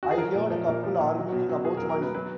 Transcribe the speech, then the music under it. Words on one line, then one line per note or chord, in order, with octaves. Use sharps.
I heard a couple arguing about money.
F#4
G#4
F3 A#4
A#2
F3
A#2 A#4
F3
A#2
F#3
B2
F#3
B2 G#4
A#4
F#3
A#4
B2 B4
F#3 B4